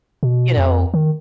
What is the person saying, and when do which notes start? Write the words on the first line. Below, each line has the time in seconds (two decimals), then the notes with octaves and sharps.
you know
0.23 B2
0.57 F2
0.94 D#3